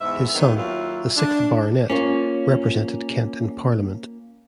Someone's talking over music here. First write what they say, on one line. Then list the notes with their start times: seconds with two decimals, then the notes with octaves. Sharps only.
His son, the sixth Baronet, represented Kent in Parliament.
0.01 E2 G#2 E5
0.34 D#3 F#3 G#3 B3 C4
0.56 D#2 F#3 E4 F4
1.17 D4
1.90 A#3 C#4 F4 C#5